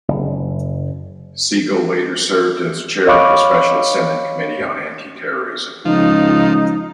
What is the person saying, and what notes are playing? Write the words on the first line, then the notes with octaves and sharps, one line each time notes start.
Segal later served as Chair of the Special Senate Committee on Anti-Terrorism.
F#1
C#5 D#5 F5 B5 C#6 D6
C#2 F3 D#4